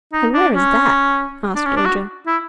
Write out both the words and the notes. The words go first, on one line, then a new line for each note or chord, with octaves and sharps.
"And where is that?" asked Ojo.
D#4
D4
C#4
D4
C#4
D4
F#4
E4